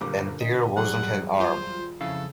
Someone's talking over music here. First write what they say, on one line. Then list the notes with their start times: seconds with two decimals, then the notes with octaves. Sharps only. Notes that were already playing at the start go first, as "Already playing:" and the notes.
And there wasn't an arm!
0.01 F#1 A#2 D3 G3 A#3 D6
0.41 D#5
0.77 E1 F#3 G3 G#4 F#5
1.40 F4 C5
2.01 F2 C#3 E4 A4 F5